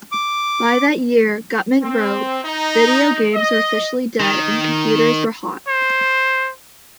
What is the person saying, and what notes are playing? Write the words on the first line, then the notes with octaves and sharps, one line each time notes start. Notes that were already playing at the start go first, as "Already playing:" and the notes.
By that year, Gutman wrote, "Video games were officially dead and computers were hot".
D6
C4
D#4
D#5
D#3
C5